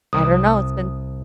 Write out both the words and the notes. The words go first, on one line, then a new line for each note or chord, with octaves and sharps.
I don't know, it's been
C2 D#6